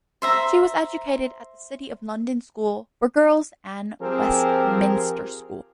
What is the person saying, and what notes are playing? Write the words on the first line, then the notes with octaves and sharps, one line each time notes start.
She was educated at the City of London School for Girls and Westminster School.
C5 E5 A#5
F3 C4 G4 G#4 A#4